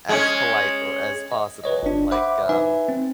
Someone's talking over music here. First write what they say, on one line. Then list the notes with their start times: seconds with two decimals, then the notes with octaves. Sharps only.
as polite or as possible. Like, um
0.09 G#3 C#4
1.32 D#5
1.64 B4 C#5 D#5
1.83 G1 D4
2.11 C5 E5 F#5 B5 D6
2.49 D#4 B4 E5 G#5
2.89 C4